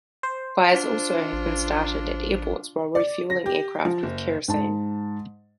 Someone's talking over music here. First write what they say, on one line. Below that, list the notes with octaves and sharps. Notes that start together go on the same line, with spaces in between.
Fires have also been started at airports while refueling aircraft with kerosene.
C5
D4 F4
A1
D5
A#6
G4
F3
F#1
G#2 A5